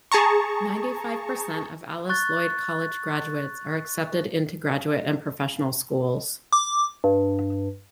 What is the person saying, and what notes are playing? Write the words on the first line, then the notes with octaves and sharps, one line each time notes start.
Ninety-five percent of Alice Lloyd College graduates are accepted into graduate and professional schools.
G#4 A5 A#5 C#6
C#6 F#6 A6
D6
G2